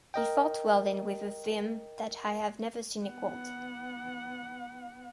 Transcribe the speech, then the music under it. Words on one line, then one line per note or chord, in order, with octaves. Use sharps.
He fought well and with a vim that I have never seen equaled.
A#4 D#5 G5
B3 F#5